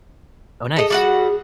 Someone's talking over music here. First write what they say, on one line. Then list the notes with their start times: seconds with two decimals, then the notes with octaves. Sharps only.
Oh, nice.
0.76 G#4 A4 D#5
0.90 G3 F#4 F#5